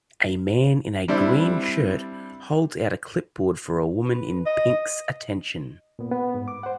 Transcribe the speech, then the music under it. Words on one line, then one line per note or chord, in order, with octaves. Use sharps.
A man in a green shirt holds out a clipboard for a woman in pink 's attention.
G3 C4 D4 E4 D5
B4
D#5
A#2 B3
B3
G#2
D6
C5 F#5